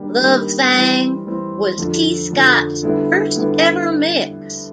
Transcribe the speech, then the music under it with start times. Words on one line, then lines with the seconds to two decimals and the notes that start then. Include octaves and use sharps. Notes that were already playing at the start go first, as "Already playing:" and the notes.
"Love Thang" was Tee Scott's first ever mix.
Already playing: D#3 G3 A#3 D4 G4
0.19 D#3 G3 A#3 D4 G4
0.72 E3 G3 C4
1.25 E3 G3 C4
1.78 F2 D3 F3
2.30 F2 D3 F3
2.83 D3 G3 B3 E4
3.36 D3 G3 B3 E4